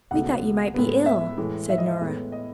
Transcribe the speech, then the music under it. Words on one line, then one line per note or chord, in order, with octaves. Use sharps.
"We thought you might be ill," said Nora.
C#2 B2 A3 F#5
A2 G#3 B3
E5
A2 E3 G#3
E5
D#5
E5
A2 G#3 B3
D#5